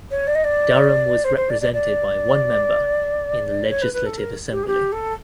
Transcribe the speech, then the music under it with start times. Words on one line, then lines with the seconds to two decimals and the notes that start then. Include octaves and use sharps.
Durham was represented by one member in the Legislative Assembly.
0.11 C#5
0.27 D5
0.35 D#5
0.44 D5
1.24 C5
1.36 C5
1.49 D5
1.61 D5
1.73 D5
3.69 C#5
3.82 B4
3.93 B4
4.06 A4
4.17 A#4
4.51 G4
4.63 G#4
4.66 G4
4.92 A4